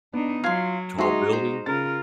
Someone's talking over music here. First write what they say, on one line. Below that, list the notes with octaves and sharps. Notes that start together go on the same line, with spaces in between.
Tall building.
B3 D4 D#4
F#3 F4 C6 F6 G#6
G#3 D#4 F#4 E5 C6
C5
C#3 F4 A#4 A6